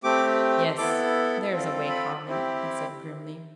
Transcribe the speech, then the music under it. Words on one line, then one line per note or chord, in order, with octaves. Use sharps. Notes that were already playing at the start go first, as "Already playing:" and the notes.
"Yes, there's a way, Carling," he said grimly.
A3 C4 G4 D6
B3 E4 A4 D6
C4 F4 A4
B5
C4 E4 G4